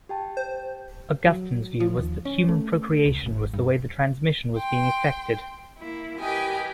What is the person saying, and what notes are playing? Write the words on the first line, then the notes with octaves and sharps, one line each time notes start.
Augustine's view was that human procreation was the way the transmission was being effected.
G4 G5 A5
C5
F#3
F3
D#2
C#4
A3
C#2
G#1
G2
G5 C6
A#3 E4
G4 A#4 B4 D#5 G5 G#5